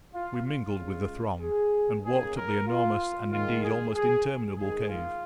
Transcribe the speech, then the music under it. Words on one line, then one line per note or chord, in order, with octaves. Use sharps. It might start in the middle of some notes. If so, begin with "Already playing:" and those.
We mingled with the throng, and walked up the enormous and, indeed, almost interminable cave.
F4
F4
C#2 C#3 G#3 C#4
G#4
D#2 D#3 A#3 C#4 G#4
A#4
F4
D#2 D#3 G#3 F4
G#4
G#4
G#2 D#3 G#3 G#4
F4